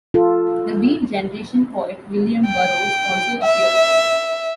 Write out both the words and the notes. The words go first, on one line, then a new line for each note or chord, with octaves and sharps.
The Beat generation poet William Burroughs also appeared.
F4 A4
G5
E5